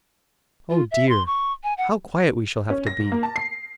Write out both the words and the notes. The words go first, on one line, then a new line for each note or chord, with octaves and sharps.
Oh dear, how quiet we shall have to be!
F4
E5
C6
C#6
G#5
F#5
C#4
A#6
G#2
A#3
A5
C7